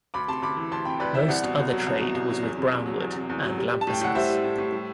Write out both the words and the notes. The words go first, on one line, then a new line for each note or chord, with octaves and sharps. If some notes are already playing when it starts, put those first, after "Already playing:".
Most other trade was with Brownwood and Lampasas.
D2 B5 D6
C3 A5 C6
D2 B5 D6
E3
D2 A5 C6
C3 G5 B5
D2 B4 D5
E3 C5 E5
C2 D5 F#5
B2
C2
F#3
C2
B2
C2
F#3
E2
C3
E2
F#3
E2
C3
E2
F#3
G3
G3
A5
A2
G5
A2 F#5
G3 C5 E5
G3
A2
A2
G3